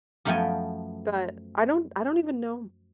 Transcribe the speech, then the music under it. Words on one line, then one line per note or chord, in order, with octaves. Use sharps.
but I don't I don't even know.
F#2 F3 A3 B3 G5 G#5